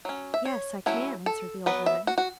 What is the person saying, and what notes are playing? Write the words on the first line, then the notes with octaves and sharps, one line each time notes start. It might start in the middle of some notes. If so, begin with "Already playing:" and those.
'Yes, I can,' answered the old woman.
F#3 C#4
E5
C#5
F#3 A3 C#4 E4
A4
F#3 B3 B4
E5
F#4
F#4